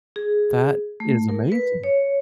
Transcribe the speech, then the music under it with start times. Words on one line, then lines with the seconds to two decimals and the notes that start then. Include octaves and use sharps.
That is amazing.
0.16 G#4
1.00 A3
1.29 A#4
1.52 B4
1.84 C#5